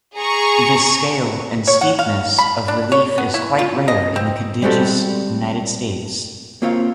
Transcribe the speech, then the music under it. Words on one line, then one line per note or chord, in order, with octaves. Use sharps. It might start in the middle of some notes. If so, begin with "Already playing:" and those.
This scale and steepness of relief is quite rare in the contiguous United States.
G#4 A#5 C#6
C#5
F#5
F5
B5
D4
C#5
B3
E4
F4
D#5
C4
G3 G#3 C4 F#4 G4 A4
A#3 C4 F4 C#5 F5